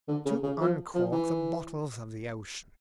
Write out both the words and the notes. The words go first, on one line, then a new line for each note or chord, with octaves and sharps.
"To uncork the bottles of the ocean."
D3
C#3
C#3
F3
F3
E3